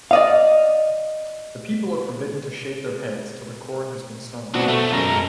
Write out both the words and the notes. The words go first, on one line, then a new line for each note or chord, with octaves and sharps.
The people are forbidden to shave their heads till the corn has been sown.
D5 D#5 F5
B2 C4 D4 F#4
A3
F#2 G#3 A#4